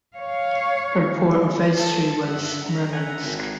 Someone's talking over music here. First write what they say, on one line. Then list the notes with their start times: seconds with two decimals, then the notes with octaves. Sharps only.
Her port of registry was Murmansk.
0.17 C#5 F5
1.75 A4
2.24 G2 E5 F#5
2.63 D3 A#5
2.93 E5 F#5 G#5
3.22 G#1